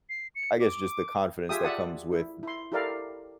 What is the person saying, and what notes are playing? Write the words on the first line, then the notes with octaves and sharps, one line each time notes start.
I guess, just the confidence that comes with
C7
C#7
D6
F4 G4 G#4 E5 G5 D#6
D5 E5 F#5 A5 D#6
E4
E4 C6
E4 G4 A4 A#4 D5 F5